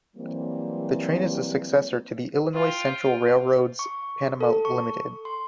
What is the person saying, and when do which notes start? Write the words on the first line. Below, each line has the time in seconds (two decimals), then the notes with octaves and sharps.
The train is a successor to the Illinois Central Railroad's "Panama Limited".
0.16 E3 F#3 G3 A#3 C4
2.54 F4 G5
3.79 C#6
4.41 A4
4.65 C#6
5.25 C6